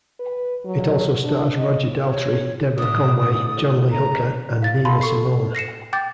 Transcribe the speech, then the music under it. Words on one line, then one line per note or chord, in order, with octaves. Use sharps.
It also stars Roger Daltrey, Deborah Conway, John Lee Hooker, and Nina Simone.
B4
F#3
D4
D#5
C#5
A2 D3 D#6
A#5
F5 A6
F5 A5 B5 C6
A4 C#6 C7
A#6 C7 C#7 E7
G5 D6 G6 A6